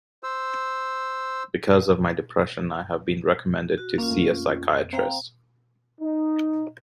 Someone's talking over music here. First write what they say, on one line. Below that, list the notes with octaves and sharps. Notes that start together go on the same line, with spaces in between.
Because of my depression, I have been recommended to see a psychiatrist.
C5 E6
F#4
A1 A#3 C#4 F4
F2 A3
C4 F5 G5 A#5
D#4